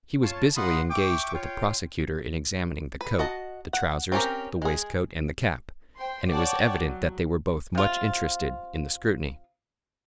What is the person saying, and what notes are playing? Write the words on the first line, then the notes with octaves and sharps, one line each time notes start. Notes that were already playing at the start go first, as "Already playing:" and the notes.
He was busily engaged with the prosecutor in examining the coat, the trousers, the waistcoat and the cap; and it was evident that they were both much interested in the scrutiny.
F4 C#5 A5
D#4 F4 F#5 B5 C6 D#6
E5 G5 C#6 D6
F4 C#5 G5
B4
F#4 D#5 A5
F#5
C4 C#4 G4 A#4
G#3 G#4
C5 G5 C6
C#5 D5 F#5 G5 A5 D6
F#3
C3 F4